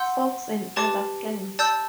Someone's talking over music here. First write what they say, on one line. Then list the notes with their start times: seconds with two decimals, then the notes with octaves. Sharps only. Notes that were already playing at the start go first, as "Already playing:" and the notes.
Fox and other friends.
Already playing: F#5 C6 E6 G6
0.76 G4 B4 D5 A5 D6
1.59 D5 A5 E6 G6